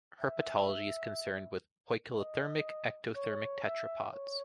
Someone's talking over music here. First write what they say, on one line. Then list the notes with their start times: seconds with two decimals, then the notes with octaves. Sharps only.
Herpetology is concerned with poikilothermic, ectothermic tetrapods.
0.20 E5
2.17 D#5
3.15 C#5
3.64 E5
4.14 C#5